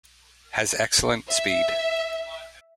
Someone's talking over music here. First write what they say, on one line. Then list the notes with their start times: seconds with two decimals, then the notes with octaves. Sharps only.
Has excellent speed.
1.28 E5